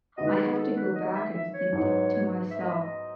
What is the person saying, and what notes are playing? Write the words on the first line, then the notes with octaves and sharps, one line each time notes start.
I have to go back and think t to myself,
D#3 G#3 B3 F#4 D#5
B4
G#4
G#4
A4
B4
D#5
E5
E5
C#5
G#2 F#3 B3 C#5
E5
D#5
E5
D#5